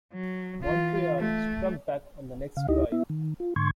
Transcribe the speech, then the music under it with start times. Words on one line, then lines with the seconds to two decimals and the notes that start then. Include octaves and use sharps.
Montreal struck back on the next drive.
0.13 F#3
0.63 E3 F4
1.19 A3
2.57 C#3 F5
2.69 D2 D#4 E4 G4 D#5
2.92 B3 E4 E5
3.10 D#3
3.40 F4
3.56 G#2 D3 C6 C#6 G#6